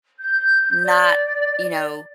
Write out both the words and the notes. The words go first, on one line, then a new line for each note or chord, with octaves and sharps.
not, you know,
G6
D5